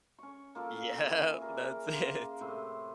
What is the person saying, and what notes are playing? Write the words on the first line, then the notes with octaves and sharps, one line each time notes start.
Yep, that's it.
C#4 C#6
A#3 F4 A4
E3
G#4 A#4 D5
C#3 A#3 C6
A2 C3 E4 C5